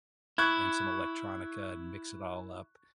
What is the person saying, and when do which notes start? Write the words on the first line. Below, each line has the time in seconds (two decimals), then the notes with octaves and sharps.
and some electronica and mix it all up.
0.38 E4 C#6 F#6 G#6